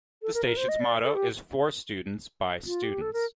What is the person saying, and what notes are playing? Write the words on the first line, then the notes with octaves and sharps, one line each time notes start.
The station's motto is For students by students.
A4
A#4
A#4
C5
D#5
D5
A4
G4
F4
G4
A4
A#4